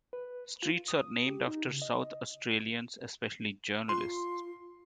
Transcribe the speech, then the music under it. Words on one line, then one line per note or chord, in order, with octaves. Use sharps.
Streets are named after South Australians, especially journalists.
B4
F4
D#6
G4
D#4
C#3
D#5
F4 C6